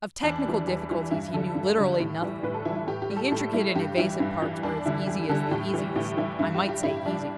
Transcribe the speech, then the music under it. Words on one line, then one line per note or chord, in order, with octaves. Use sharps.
Of technical difficulties he knew literally nothing; the intricate and evasive parts were as easy as the easiest--I might say easier!
E2 D4
E3 G3
E2
E3 G3
G2 E4
D3 G3 A4
G2
D3 G3
A2
E3 G3
A2 B4
A4
E3 G3 E4
E4
A2 G4
G4
G3
A4
A2 A4
G3 E4
G2 G4
E3 G3 E4
G2
E3 G3
E2 D4
D3 G3 E4
E2 G4
D3 G3 A4
A2 G4
E3 G3
A2 G4
E3 G3 E4
G2 E4
G4
G3
G4
G2 E4
G3 D4